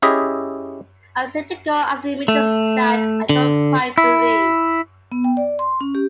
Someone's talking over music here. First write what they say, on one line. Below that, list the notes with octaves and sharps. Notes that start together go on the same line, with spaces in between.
I seem to go after images that I don't quite believe.
C#4 E4 G4 G#4 D#5 E5
A3
D3
E4
B3
G5
D5
C6
C#4
G4